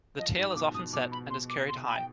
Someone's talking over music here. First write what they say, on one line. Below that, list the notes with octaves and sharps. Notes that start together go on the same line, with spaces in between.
The tail is often set and is carried high.
F3 D#5
G#2
D#6
B2 D6
B2 D#6
B2 D6
B5
C6
D6
C6
B5
G5